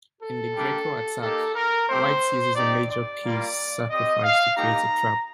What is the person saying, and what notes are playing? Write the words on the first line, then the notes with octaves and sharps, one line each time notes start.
In the Greco Attack White uses a major piece sacrifice to create a trap.
A4
G3 A#3 D4 G4
A#3 D#4 G4 A4
A#4
A3 C4 G4 C5
C4 D#4 G4 D5
D5
G3 A#3 F4
C4 G4 D#5
F5
G3 A#3 D#4 G4 A#5